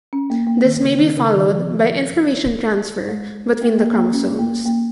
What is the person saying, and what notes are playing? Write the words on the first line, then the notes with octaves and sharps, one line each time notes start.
This may be followed by information transfer between the chromosomes.
C#4
A#3
A#3
D#3
C#3
D#3
C#3
D#3
F3
G#3
A#3
A#3
A#3
C#4
A#3
A#3